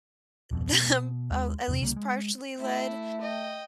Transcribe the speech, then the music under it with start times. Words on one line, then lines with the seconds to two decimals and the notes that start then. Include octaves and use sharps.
them uh, at least partially led,
0.51 D1 F2 B2
0.72 B2
1.31 D#2 G#3
1.68 E2 G#2 C3
1.81 C2 C#3 G3 A#3
1.96 G#3
2.59 A3 E4
3.21 D#5 G5